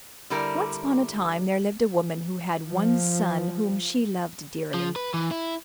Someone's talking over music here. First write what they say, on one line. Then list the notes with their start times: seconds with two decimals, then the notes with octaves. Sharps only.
Once upon a time there lived a woman who had one son whom she loved dearly.
0.30 D3 G3 E4 A#4
2.68 F3
4.74 F3
4.96 B4
5.14 E3
5.31 E4